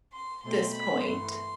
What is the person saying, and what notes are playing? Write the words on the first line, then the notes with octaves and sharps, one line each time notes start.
this point
C6
B2 A3 C4 C6
B5
G2 E3 A3 C6